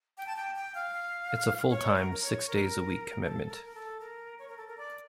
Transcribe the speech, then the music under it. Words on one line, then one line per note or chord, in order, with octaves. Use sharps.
It is a full-time, six- days-a-week commitment.
G5
A5
G5
G5
F5
C#5
A#4
A#4
C#5
A#4
A4
A#4
A#4
A4
A#4
C#5
A#4
A4
A#4
D5